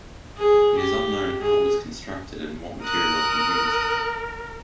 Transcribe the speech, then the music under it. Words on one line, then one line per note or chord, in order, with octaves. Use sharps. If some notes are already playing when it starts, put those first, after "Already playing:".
It is unknown how it was constructed and what materials were used.
G#4
G4
G#4
A#4 D#6 F#6